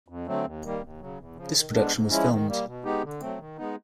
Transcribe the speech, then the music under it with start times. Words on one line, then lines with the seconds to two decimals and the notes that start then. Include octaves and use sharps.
This production was filmed.
0.08 F2
0.27 D3 F#3 A3 C4
0.45 D#2
0.63 D#3 G3 A#3
0.82 D#2
1.00 C#3 F#3
1.19 E2
1.37 C#3 F3
1.55 D#3
1.74 G#3 B3 D4
1.92 G#2
2.10 F3 G#3 C#4 E4
2.29 D#3
2.47 G3 A#3
2.66 B2
2.84 G#3 B3 D#4 G4
3.03 D3
3.21 F#3 A3 C4
3.39 D#3
3.57 G#3 B3 D#4